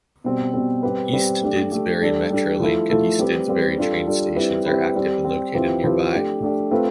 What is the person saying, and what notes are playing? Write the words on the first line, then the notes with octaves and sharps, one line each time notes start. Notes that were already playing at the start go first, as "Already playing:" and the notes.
East Didsbury metrolink and East Didsbury train station are active and located nearby.
B2 G3 C4
B2 G3 C4
G3 C4 G4 B4
G3 C4 G4 B4
A3 D4 G4
A3 D4 G4
G3 D4 A4
G3 D4 A4
F3 A3 E4 A4
F3 A3 E4 A4
G3 C4 G4 B4
G3 C4 G4 B4
G3 D4 F4 A4
G3 D4 F4 A4
G3 C4 E4 G4 B4
G3 C4 E4 G4 B4
G3 C4 G4
G3 C4 G4
F3 C4 E4 G4 B4
F3 C4 E4 G4 B4
A3 D4 G4
A3 D4 G4
A3 C4 F4 B4